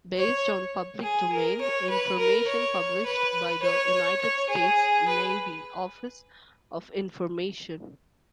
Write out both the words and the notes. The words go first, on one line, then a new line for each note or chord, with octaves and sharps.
Based on public domain information published by the United States Navy Office of Information.
C#5
G#4
A#4
C#5
B4
A#4
C#5
B4
C#5
C#5
G#4
B4